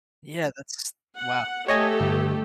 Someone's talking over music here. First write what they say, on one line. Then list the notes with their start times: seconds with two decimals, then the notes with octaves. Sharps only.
Yeah, that's wow.
1.17 F#5
1.68 A3 G4 A4 C#5 D#5 G#5
2.00 G1